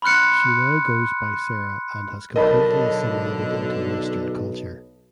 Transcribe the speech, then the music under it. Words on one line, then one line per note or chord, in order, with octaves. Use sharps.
She now goes by Sarah and has completely assimilated into Western culture.
B5 C6 F6 F#6 C#7
B1 D3 A#4 C#5 D#5 A5 B5